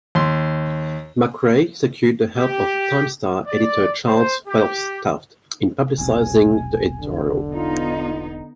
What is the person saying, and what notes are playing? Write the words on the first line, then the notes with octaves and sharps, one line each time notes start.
McRae secured the help of "Times-Star" editor Charles Phelps Taft in publicizing the editorial.
D#2 C6
G4
D5
C5
G4
E1 B1 C3 G#5
D3
B3 D#4 F4